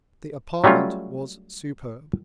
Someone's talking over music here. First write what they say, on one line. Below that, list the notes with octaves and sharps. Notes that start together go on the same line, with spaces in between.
The apartment was superb.
F#3 G3 A3 C#4 F4